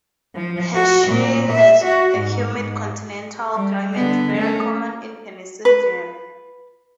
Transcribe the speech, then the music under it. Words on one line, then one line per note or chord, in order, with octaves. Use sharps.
Hershey has a humid continental climate, very common in Pennsylvania.
F3
F#4
A#2
E5
F#4
G#2
G#2
G3
D3 B3
A3 C#4
B4